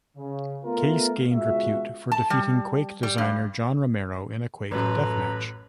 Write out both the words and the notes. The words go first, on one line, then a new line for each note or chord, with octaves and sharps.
Case gained repute for defeating "Quake" designer John Romero in a "Quake" deathmatch.
C#3
A3 B3 F4 A#4
C#2 B2 G#3 F4 F#4 E5
A5
G3
G3
G2
A1 F#2 A4 B4 A#5